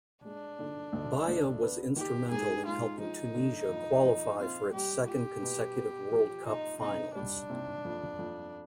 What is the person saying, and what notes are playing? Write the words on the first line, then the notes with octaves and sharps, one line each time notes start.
Baya was instrumental in helping Tunisia qualify for its second consecutive World Cup finals.
G#3 D4
D3
D2
D2
B3
D#3 G4
G#2 G#4
G#2 F4
F3 D#4
D3
F2
F2
C4 F4
G3 G4
F4 G4
B2
B3
F3
D#4 F4
C3 D#4
G3 D4
C3
F2
F2